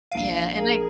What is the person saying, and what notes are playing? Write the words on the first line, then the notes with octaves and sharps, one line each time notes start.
yeah, and I
A#1 F5 D7 D#7
G#4 A#4